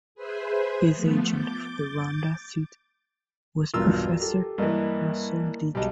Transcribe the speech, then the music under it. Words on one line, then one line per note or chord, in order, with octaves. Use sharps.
His agent for the Rhondda seat was Professor Russell Deacon.
G#4 B4 C5 E5 G#5
F3 A3 B3
D6 G6 A6
B1 E2 G2 F4 A#4 E6
G4 A4
G2 E3 A#3 D#5
B1 G3 G#3 A5